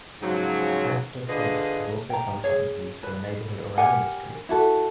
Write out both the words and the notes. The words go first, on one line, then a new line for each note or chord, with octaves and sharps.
"Astor Place" is also sometimes used for the neighborhood around the street.
G#2 C#3 F3 F#3
D3 F4 G#4 B4 D#5
G5 A#5
G#4 C#5
B4
G4 A#4 F#5 G#5
E4 F#4 A4